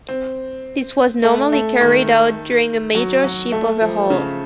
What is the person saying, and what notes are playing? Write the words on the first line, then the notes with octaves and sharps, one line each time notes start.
This was normally carried out during a major ship overhaul.
C4
A3
A3
D#3
F#3
F#3
A3
F3
C#3